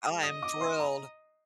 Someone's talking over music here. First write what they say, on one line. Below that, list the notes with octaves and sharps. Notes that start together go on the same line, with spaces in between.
I am thrilled.
D#5 D#6
D6
C6
A#5